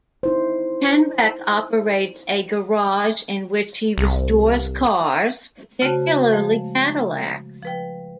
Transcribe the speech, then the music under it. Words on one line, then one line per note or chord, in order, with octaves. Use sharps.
Tenrec operates a garage in which he restores cars, particularly Cadillacs.
D#4 E4 C5
C2
C#3 A3 F#4 C5 A5
F3 G#3 A3
F3 B4 G5